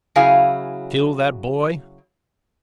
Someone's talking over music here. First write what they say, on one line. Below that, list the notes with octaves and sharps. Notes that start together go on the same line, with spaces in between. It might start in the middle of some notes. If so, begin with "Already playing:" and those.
Kill that boy?
C#3 F#3 E4 G#4 F5 G#5